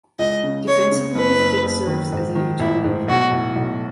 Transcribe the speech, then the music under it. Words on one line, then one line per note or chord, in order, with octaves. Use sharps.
Defensively, Fick serves as a utility player.
C#2 D#5
C#3
G#3 C#5
C#3
F#1 B4
F#1
F#1
D#3
G#2
D#3
A1 E4
G#2
B1 F#4
A2
B1